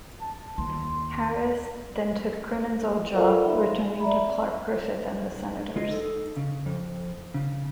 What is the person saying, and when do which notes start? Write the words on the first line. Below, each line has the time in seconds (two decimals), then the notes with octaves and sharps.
Harris then took Cronin's old job, returning to Clark Griffith and the Senators.
0.21 A5
0.58 D#2 C6
3.13 F4 A4 A#4 C5 D5 F5
3.41 D#4 E5 B5
3.57 C6
4.00 D5 E5 A#5 B5
4.26 C4
5.76 G#3 F4 G#4 D#5
5.89 D#4 A4
6.36 C#3
6.66 F2
7.34 C#3